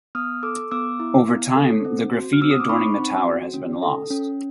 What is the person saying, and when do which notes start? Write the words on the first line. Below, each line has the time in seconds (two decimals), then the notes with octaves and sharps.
Over time the graffiti adorning the tower has been lost.
0.15 B3 D#6 F6
0.43 A4 D6 E6
0.71 B3 D6 E6
1.00 E4
1.28 B3
1.56 A4
1.85 C4
2.13 F#4
2.33 F6
2.41 C4 E6
2.51 D#6
2.60 D6
2.69 D#4 B5 C#6
2.97 C4
3.26 F#4
3.54 C#4
3.82 A4
4.10 C#4